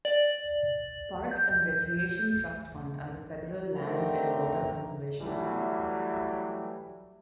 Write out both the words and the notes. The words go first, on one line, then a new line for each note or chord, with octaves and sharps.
Parks and Recreation Trust Fund and the federal Land and Water Conservation Fund.
D5
G6
D3 D#3 A3 C4 G4 A#5
E3 F#3 G3 A3